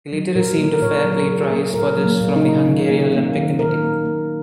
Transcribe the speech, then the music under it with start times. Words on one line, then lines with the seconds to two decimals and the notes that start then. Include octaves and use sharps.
He later received a Fair Play prize for this from the Hungarian Olympic Committee.
0.13 F#3
0.35 A#2 A#4
0.58 A#3
0.72 A#4
0.82 A#2 C#5
1.05 F#3
1.12 A#4
1.28 A#2
1.43 G#4
1.51 A#3
1.74 A#2 A#4
1.98 F#3
2.06 A#3
2.20 A#2
2.36 D#4
2.44 A#3
2.66 D#3 C#4
2.90 A#3
3.14 A#3
3.37 D#3
3.59 D#3 A#4
3.82 A#3
4.05 A#3